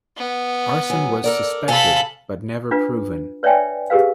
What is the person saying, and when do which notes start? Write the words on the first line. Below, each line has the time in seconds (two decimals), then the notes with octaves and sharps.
Arson was suspected but never proven.
0.17 B3
0.90 F#3 G#5
1.24 A4 A#4 D5
1.68 C3 A4 F5 G#5 B5
2.71 D4 F4 B4
3.43 B4 C#5 D5 E5 G5 G#5
3.90 G4 G#4 A#4 B4 F5